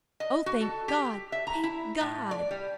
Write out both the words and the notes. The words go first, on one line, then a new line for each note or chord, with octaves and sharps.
Oh, thank God, thank God!
D#5
F#4
A4
G4
E5
A#5
E4
A2
D5
G3